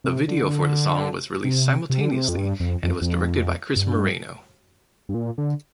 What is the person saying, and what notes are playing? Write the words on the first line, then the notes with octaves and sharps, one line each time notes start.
The video for the song was released simultaneously and was directed by Chris Moreno.
C3
D3
C3
C3
D3
C3
F2
G2
F2
F2
F2
G2
G2
A#2
D3